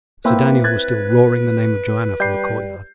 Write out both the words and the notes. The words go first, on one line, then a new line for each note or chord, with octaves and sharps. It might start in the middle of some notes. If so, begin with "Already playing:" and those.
Sir Daniel was still roaring the name of Joanna from the courtyard.
A#3 C4 E4 B4 G5
F#6 G#6 A6
G3 G6 C7